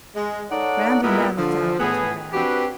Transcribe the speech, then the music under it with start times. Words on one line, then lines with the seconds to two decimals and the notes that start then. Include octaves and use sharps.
Round and round the flower-beds we ran.
0.16 G#3
0.51 D#4 A4 C#5 D5 F#5
1.02 A#2 G3 G#3 B3 E4 A#4
1.37 D3 F3
1.79 A2 B3 G#4
2.33 C4 D4 F#4 G4 B4